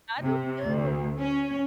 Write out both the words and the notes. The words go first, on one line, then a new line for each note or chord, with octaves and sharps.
I do too!
C3
D2
C#4